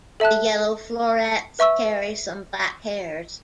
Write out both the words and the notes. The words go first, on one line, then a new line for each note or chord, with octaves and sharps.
The yellow florets carry some black hairs.
A4 E5 A5 F#6
B4 E5 C#6 E6